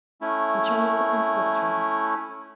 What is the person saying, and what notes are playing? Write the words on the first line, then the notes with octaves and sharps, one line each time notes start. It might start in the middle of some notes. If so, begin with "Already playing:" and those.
He chose the principal street.
A3 C#4 E4